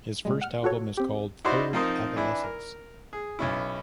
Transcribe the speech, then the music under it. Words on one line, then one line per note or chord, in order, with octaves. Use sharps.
His first album is called Third Adolescence.
A#2 G3 G#3
F#5 F6
F4 F#4 A4 C#5
C4 G4
D#4 E4 F#4 C5 D5 C6
F3 C4 D#4 A#4 C5 D#5
E3 D4 E4
A#4
G#4
B1 C#4 E4